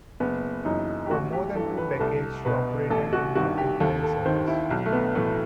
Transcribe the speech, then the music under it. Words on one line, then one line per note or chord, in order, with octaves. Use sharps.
For more than two decades, she operated in mercantile service.
F#1 B3
F#2 E3 D#4
G4
A1 F#4
G4
G2 E3 A4
B4
B4
C2 A4
B2 B4
A1 A4
F#4
G2 D#3 F#4
G4
D#2 A4
A4
D#3 C5
E4
B1
A3
B3
A2 E3 A3